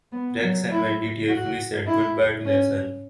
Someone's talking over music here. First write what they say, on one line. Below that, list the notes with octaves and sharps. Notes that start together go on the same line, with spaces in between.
Rex and Wendi tearfully said goodbye to their son.
B3
F#3
E4
F#4
E4
C#4